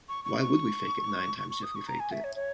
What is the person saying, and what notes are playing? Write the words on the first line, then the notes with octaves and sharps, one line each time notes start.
Why would we fake it nine times, if we faked it?
C#6
C#6
C#6
C#6
C#6
D#6
C#6
A#5
G#5
E5
C#5
C#5